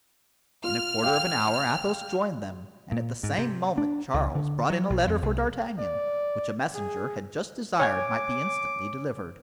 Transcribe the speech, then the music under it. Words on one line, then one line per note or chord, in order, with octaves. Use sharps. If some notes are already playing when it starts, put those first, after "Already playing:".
In a quarter of an hour Athos joined them and at the same moment Charles brought in a letter for D'Artagnan, which a messenger had just desired might be instantly delivered.
F4 F6
F5 G5
A#2
G#2
C3
D4
C#2
D3
F#3
B1
F2
C2
D5
G#4
C#5 G#5 D6 G#6